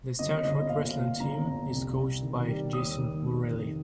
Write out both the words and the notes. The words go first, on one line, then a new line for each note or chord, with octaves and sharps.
The Stanford Wrestling team is coached by Jason Borrelli.
G1 D#5
G1 D#5
A#2 F5
A#2
G1 A#5
F2
C2
C2
D#3
G3
D#2 D#6
D#3
F1
D#3